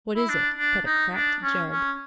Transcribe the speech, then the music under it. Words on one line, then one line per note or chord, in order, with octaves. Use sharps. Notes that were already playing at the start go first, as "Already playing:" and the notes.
What is it but a cracked jug?
E4
D4
D4
D#4
D4
C#4
C#4